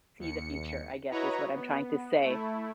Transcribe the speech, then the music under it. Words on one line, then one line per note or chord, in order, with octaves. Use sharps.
see the future, I guess is what I'm trying to say.
D#2 C#7
E4 F#4 B4 C#5 D#5 A#5
B3
A3 E4